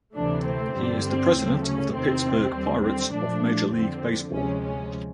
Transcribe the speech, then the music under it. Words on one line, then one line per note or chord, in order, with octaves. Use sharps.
He is the president of the Pittsburgh Pirates of Major League Baseball.
D2 C3 E3 A3 D4
C4
G2 D3 G3
C4
D2 C#3 F#3 A3
C#4
E2 C3 D#3 C4
D#2 D3 G3
C4
A#2 F3 A3 D4
F2 D3 F3 C4
D2 C3 F3 G#3 C#4
C#4